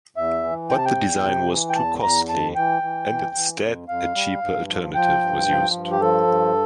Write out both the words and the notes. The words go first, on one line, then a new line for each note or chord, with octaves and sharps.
But the design was too costly and instead a cheaper alternative was used.
E2 E5
E3
C3 G5
A5
G5
E2
C3
E3
G5
E2 A5
E2 A#5
F2 A5
E3 G5
E3
E3
E3
F2
F2 F5
G3
G2
F3
F3 G5
G2
F3
G2
G4
F3 A4
G2